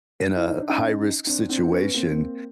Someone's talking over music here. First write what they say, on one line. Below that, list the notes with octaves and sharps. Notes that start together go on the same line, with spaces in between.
in a high risk situation
E4
D#4
D4
C#4 D#4
C4 D4
C4 D4
B3 C#4
A#3 C4